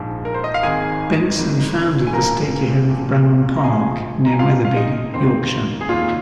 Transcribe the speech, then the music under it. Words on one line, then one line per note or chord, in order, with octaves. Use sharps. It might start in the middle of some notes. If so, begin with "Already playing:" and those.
Benson founded the stately home of Bramham Park, near Wetherby, Yorkshire.
Already playing: A#1 G#2 F3
A#4
C5
D#5
F5
G#1 G#2 D#3 G#4 G#5
G#1 G#2 D#3
G#5
A#1 A#2 F3 A#4 A#5
A#1 A#2 F3
A#5
A#1 A#2 F3 G#4 G#5
A#5
G#5
A#1 A#2 F3 F4 F5
F5
D#4 D#5
F1 D#2 D#3 C4 C5
G#4
F1 D#2 D#3 F4